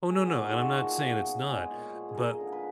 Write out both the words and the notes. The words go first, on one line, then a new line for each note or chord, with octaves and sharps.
Oh, no, no. And I'm not saying it's not, but
A#3 G#4
F#4
A#2
D#4
F3 F4
F#4
A#3
B2
F#3
G#3 G#4
A#2
F3
G#4
A#3 A#4
D3
B4